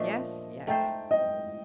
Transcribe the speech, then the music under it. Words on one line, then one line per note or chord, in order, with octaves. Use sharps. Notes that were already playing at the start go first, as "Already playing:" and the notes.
"Yes, yes."
Already playing: A#2 F3 A3 D4 D#5
A3 D#4 A4 C5 G5
D#5